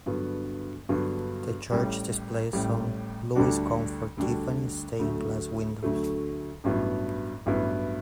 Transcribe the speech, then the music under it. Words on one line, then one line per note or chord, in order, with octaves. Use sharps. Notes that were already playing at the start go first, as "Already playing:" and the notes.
The church displays some Louis Comfort Tiffany stained glass windows.
G2 D3 F#3 B3
G2 D3 F#3 B3
A1 A2 G3
A1 A2 G3
D2 D3 G3 D4 F#4
D2 D3 G3 D4 F#4
D2 D3 F#3 A3
D2 D3 F#3 A3
A1 G2 F#3 B3 E4
A1 G2 F#3 B3 E4